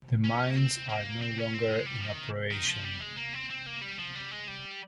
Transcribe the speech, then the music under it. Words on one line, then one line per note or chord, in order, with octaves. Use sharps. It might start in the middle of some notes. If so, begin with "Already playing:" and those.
The mines are no longer in operation.
C#4
A#3
C4
A#3
C4
C#4
C4
G#3
G3
F3
D#3
D#3
F3
G3
G#3
A#3
C4
C4
A#3
G3
F3
G3
G#3
G3